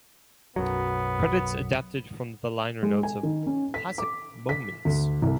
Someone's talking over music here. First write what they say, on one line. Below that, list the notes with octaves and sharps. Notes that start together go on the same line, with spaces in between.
Credits adapted from the liner notes of "Classic Moments".
B1 F#2 F#3 B3
G#3
G#5
D#3
C#4
B6
D6
B6
D2
C2